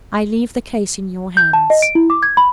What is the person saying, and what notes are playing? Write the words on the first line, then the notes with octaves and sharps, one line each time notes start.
I leave the case in your hands.
G6
A5
D#5
D7
E4
D6
G#6
B5